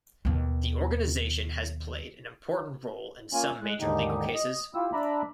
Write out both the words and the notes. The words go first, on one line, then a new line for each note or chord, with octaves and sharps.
The organization has played an important role in some major legal cases.
D#2 B2
A#3 C#4 F4 G#5
G#3 F#6
D#2 G#2 D3 D#4 G4
D#5
E4 F4 G4 E6
D4 D5 E5 A#5 B5